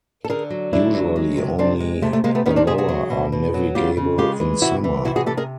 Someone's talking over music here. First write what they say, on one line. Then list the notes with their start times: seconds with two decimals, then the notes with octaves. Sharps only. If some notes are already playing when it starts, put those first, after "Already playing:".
Usually only the lower are navigable in summer.
0.25 A4
0.30 D3 G#4 A#4
0.50 F#3
0.73 D3 D4 E4
0.95 F#3
1.16 G#3
1.38 C3
1.59 C3 C4 D4
1.80 G#3
2.02 C3 A3
2.13 A3
2.24 C3 G#3 A#3
2.35 A3 B3
2.46 D#3 B3 C#4
2.51 D#4
2.56 C4 D4
2.67 C3 F#4 G#4
2.78 F#4 G#4
2.89 F#3
3.10 B2
3.32 B2
3.54 F#3
3.75 C#3 F4 G4
3.97 C#3
4.18 G#3 F4 G4
4.40 E3
4.62 C3 E4 F#4
4.84 E3
5.05 C3 E4 F#4
5.16 F#4 G#4
5.26 C3 G4 A4
5.37 G#4 A#4